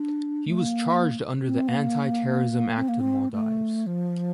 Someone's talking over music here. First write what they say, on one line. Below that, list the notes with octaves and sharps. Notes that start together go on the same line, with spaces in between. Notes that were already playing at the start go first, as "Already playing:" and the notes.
He was charged under the Anti-Terrorism Act of Maldives.
Already playing: D4
A3
A#3
C4
A#3
C4
A#3
C4
A3
F3